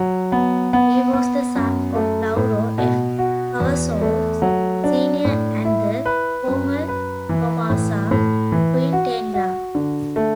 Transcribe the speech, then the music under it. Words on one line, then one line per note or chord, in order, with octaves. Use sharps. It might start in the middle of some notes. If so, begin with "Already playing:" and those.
He was the son of Lauro F. Cavazos, Senior and the former Tomasa Quintanilla.
Already playing: F#3
B3
B3
B3
F#2
A3
A2
B2
F#4
E2
A3
F#3
D4
A2
E4
B4
F#2
B4
E3
A2
A2
E3
F#4
F#4
D3
A3